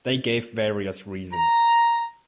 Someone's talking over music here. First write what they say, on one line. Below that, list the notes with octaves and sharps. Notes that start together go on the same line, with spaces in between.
They gave various reasons.
A#5